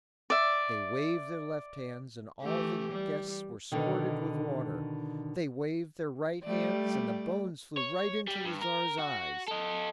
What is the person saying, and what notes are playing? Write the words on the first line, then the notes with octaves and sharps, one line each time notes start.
They waved their left hands and all the guests were squirted with water; they waved their right hands and the bones flew right into the Tsar's eyes.
D5 E5
E3 A3 G4
G3
B2 D3 D#3
G3 A3 D5
C#5
G3
G2
A#4
F#4
A4 D#5